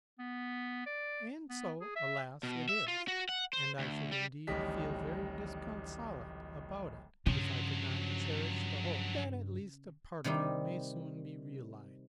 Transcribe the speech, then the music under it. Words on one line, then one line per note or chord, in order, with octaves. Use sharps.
And so, alas, it is; and I should indeed feel very disconsolate about it if I could not cherish the hope that at least a part of it may soon be realized.
B3
D5
B3
G#4
E5
B2
E5
F4
F#4
F#5
C5
D2
G3
D1 A1 D#3 G3 D#5 B6
G2 C#3 F3 F#3
C3 D#3 G3 C4 D#4